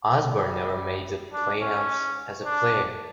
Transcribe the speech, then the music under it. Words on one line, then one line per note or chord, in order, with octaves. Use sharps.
Osborne never made the playoffs as a player.
G3
D4
C#4
D4